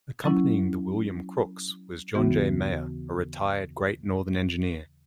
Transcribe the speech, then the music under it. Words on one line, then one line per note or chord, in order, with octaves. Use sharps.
Accompanying the "William Crooks" was John J. Maher, a retired Great Northern engineer.
F#3 C#4 E4
D#2 C#3 E3 B3 F#4